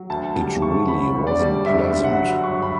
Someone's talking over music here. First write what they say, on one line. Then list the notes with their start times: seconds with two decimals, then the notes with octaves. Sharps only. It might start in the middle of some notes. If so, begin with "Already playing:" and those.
It really wasn't pleasant.
Already playing: F#3
0.10 D2 A5
0.35 G3 A5
0.62 C#3 C#6
0.88 E1 B5
1.14 D2
1.27 D5
1.39 G3
1.65 G2 E5
1.91 G1
2.04 F#5
2.18 F#3
2.43 G1 C#6
2.62 B5